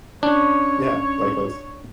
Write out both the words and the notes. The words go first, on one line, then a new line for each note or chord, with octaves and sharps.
Yeah, likewise.
C#4 D4 C#5